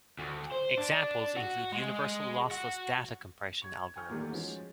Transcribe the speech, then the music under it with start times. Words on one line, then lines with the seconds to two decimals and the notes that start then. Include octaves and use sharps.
Examples include universal lossless data compression algorithms.
0.19 D2
0.52 C5
0.78 D4
1.37 F#4
1.72 G#3
2.51 F#4
3.62 C#6 G#6
3.96 G5 G#5 C#6 F6 G6
4.09 E2 A#2 D#3 G3 A3 A#3
4.31 F3 G#3 C#4 F#4